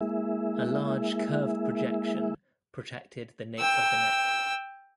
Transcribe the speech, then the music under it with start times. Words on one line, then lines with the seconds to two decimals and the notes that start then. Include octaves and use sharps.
A large curved projection protected the nape of the neck.
0.01 G#3 A#3 E4 G#4 E5
3.59 G5 E6